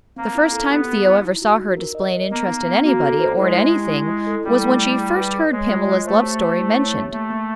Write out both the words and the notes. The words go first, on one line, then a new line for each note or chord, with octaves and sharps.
The first time Theo ever saw her display an interest in anybody, or in anything, was when she first heard Pamela's love-story mentioned.
A#3 C4
E4
A4
B3 G4
G4
E4
D#4
F#4
D#4
A#4
D#5
A#4
A#3 B3
D#4
B3
A#3 F#4
A4
C5
G#3 E4
E4
G4
E4
E4
A4
G3 E4
A3
E4
G#4
B4
G#4
G#3 C#5
F4
C#5
A3 C5
G4
C5
E4
C#5
G4
A3 A#3
A#3